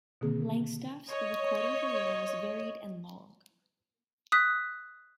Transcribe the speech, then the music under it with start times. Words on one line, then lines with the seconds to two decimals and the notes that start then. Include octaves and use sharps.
Langstaff's recording career was varied and long.
0.21 B2 D3 D#3 A#3 C4 G#4
0.50 A#3
1.11 C#5 D#5
4.32 D#6 F#6 B6